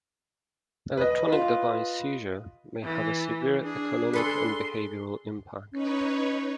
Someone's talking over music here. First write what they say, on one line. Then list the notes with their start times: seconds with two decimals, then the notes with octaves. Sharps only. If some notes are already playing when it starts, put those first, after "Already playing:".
Electronic device seizure may have a severe economic and behavioral impact.
0.97 B4 D#5
1.32 F4
2.83 E3
3.64 D4 G#4
4.13 G#4 A4 B4 C6
5.72 C#4 D#4 B4 C#5